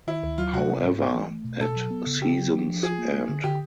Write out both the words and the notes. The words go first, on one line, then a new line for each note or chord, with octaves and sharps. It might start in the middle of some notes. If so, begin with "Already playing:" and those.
However, at season's end.
D#3 E4
D2
F#3 F4
C3 F#4
G3
G#2
B3
E3
A3
B2
B2 A4
F#3
B3
C#3
C#3 G4
F#3
D4
F3
F4 G#4
A#3
A#3
D3
D3 G4